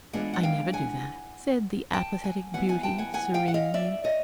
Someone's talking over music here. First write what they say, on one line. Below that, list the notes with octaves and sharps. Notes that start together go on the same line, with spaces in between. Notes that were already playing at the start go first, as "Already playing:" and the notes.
'I never do that,' said the apathetic beauty, serenely.
E3 G#3 B3 D4 F4 F#5 G#5
F#5
F5 G5
F#5 G#5
G5 A5
F#5 G#5
E3 G3 B3 E4 F#5 G#5
F#5 G#5
G5 A5
F#5 G#5
F#5 G#5
F5 G5
F#5
D#5 F5
D5 E5
C#5 D#5